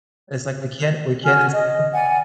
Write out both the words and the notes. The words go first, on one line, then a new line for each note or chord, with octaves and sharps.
It's like we can't we can't install
F#4 G#5 F6
D#5
D5 F#5 G#5